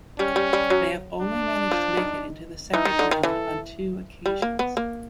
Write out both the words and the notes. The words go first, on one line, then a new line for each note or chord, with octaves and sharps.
They have only managed to make it into the second round on two occasions.
G3 C#4
G3
G3
F#3
D4
F3
D#3
E3 D#4
D#3
D3
D#3
E3 A4
G3
A#3
B3
A#3